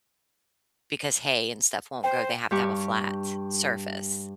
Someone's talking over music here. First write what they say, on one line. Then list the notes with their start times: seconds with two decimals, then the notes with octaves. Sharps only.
because hay and stuff won't grow, they have to have a flat surface.
2.04 C5 G5
2.51 G2 G4 C#6